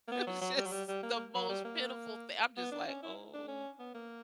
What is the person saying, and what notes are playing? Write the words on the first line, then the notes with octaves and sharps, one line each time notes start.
It was just the most pitiful thing I'm just, like, "Oh,
A#3
B3
F#3
F#3
G3
F#3
G3
G3
A#3
F#3
G3
A#3
B3
D4
C#4
E4
D4
C#4
B3
A#3